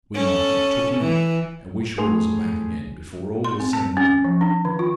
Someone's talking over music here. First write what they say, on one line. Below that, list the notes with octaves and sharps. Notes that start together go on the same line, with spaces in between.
We might get took in, and wish we was back again before all was said and done.
C#4 A4
E3
A2 G#4 C6 F7
C6
C4
A5
C#4
F3
D4
D#3
F4